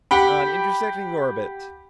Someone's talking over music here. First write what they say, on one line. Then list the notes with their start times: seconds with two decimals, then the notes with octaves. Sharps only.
On intersecting orbit.
0.11 G4 F#5 G5 B5